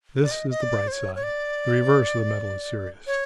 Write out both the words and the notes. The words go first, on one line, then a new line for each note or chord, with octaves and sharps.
This is the bright side; the reverse of the medal is serious.
D5
D#5
D#5
D5
C5
C#5
C#5
D5
C#5